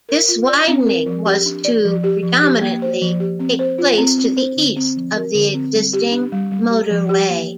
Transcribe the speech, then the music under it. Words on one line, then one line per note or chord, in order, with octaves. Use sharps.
This widening was to predominantly take place to the east of the existing motorway.
A#4
F4
D5
C4
A#4
F3
G4
D4
D5
F3
G4
F3
G4
A#3
C5
F3
G4
C4
C5
F4
C4
C4
C5
D3
C4
F3
A#4
D3
C4
G3
G4
D4
G3
G3
G4
F3
G4
A#3